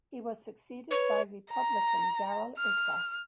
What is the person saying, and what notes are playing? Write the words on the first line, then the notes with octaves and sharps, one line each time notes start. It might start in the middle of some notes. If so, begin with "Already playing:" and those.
He was succeeded by Republican Darrell Issa.
B4 C#5
A#5
F6